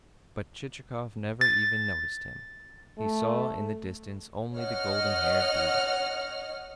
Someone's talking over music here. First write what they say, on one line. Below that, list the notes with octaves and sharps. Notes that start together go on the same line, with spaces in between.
But Chichikov never even noticed him; he saw in the distance only the golden-haired beauty.
A6
A3
C#5 D#5 F#5 F6